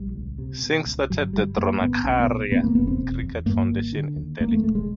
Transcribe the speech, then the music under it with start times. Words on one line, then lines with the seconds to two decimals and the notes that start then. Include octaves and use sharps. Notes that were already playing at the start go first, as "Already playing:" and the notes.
Singh started the Dronacharya Cricket Foundation in Delhi.
Already playing: A#1 G3
0.15 C#2
0.38 C3
0.62 B2
0.86 C#2
1.10 G1 F#3
1.33 G1 G3
1.56 F#2 A#3
1.80 G#1 B3
2.04 B1 C4
2.20 B3
2.27 A#2
2.51 E2 B3
2.64 A#3
2.75 F1 B3
2.87 C4
2.98 E1
3.23 E2
3.46 G2 A#3
3.70 G#1
3.93 D3
4.16 D#2
4.40 E2 A#3
4.52 A3
4.63 E1 A3
4.75 G#3